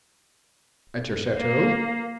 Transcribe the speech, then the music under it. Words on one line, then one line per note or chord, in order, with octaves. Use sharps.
"At your chateau."
A#3